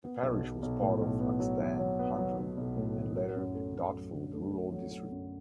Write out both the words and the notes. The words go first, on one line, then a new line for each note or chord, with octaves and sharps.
The parish was part of Axstane Hundred and later Dartford Rural District.
B3
B1
B1
B1
A2
B1
B3
F#3
F#3
F#3
B3
F#3
F#3
B1
A2
A2
F#3
F#2
A3
F#2
F#3
D3
A3
A3
F#3
F#3
F#2